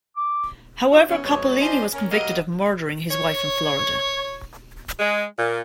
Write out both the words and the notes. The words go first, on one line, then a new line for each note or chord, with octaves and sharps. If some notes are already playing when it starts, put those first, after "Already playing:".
However, Coppolino was convicted of murdering his wife in Florida.
D6
C#4 F4 F#4 A4 C5 D#5
B2 E3 B3 C#4
F2 B2 G#3 C#5
F3 C#4 D4 C5 D5 D#5
C#4 A#4
F#3 G3 A#3 A#4 D#5
C#5
G#3
A#2